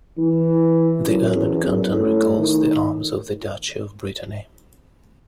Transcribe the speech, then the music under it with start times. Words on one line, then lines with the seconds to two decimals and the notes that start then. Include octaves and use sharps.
The ermine canton recalls the arms of the Duchy of Brittany.
0.18 E3
1.06 F#2
1.35 E2
1.65 F#2
1.93 A2
2.38 D#3